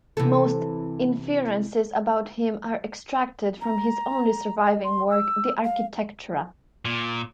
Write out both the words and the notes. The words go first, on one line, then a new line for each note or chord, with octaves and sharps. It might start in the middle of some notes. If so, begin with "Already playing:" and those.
Most inferences about him are extracted from his only surviving work "De Architectura".
C3 E3 A4
A#5
D#5
C6
E6
F5
A#2